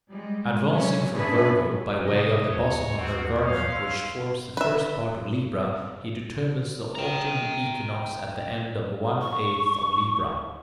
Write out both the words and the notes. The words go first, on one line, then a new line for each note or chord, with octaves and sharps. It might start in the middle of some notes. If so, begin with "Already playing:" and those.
Advancing from Virgo by way of the bosom of her garment, which forms the first part of Libra, he determines the autumn equinox at the end of one eighth of Libra.
G3 G#3
C3 F#3 C#4
C#4 D4 G#4 B4 C#5 E5
C3 D#5
D#2 C#5
D#2 C4 F#4
C#4 C#5 F5 C#6
C6 E6
B4 E5
G5 A#5
C#6